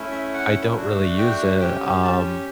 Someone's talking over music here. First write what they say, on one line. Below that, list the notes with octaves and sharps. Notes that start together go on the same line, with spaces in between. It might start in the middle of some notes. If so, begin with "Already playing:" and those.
I don't really use it, um,
Already playing: A3 C#4 E4
E5
F#5
A3 D4 F#4
G5
C#4 G4 G5
A5